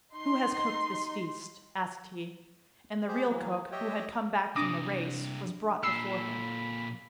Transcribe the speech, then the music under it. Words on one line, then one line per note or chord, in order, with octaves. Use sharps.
'Who has cooked this feast?' asked he, and the real cook, who had come back from the race, was brought before him.
D#4 C6
G4 G#4 C5
E3 F#3 A#3
G4 C#5 D#5 E5 G5
G2 C3 D4 D6 D#6 A#6
A#2 A4 B5 E6 C7